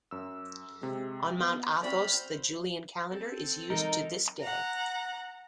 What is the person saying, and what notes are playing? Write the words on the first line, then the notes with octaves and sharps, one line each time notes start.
On Mount Athos the Julian calendar is used to this day.
F#2 E6
C3 G#3
B3
C4 F#4 D5 B5 F6
C5
C4 A4
E3 F#3 G#3 D#4 A#4
F#5 A#5